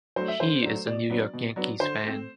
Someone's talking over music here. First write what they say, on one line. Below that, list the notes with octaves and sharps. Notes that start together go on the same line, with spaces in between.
He is a New York Yankees fan.
F#3 A3 D4 C5
E5
D3 C5
F#3 A3 D4
B2 D5
F#3 B3 D4
B2
F#3 B3 D4
D3 C5
A3 C4